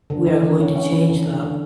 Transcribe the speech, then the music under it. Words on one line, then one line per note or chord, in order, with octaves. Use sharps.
We are going to change that.
D3
E3
D4
C#4
C#4
E3
D3
D3
D3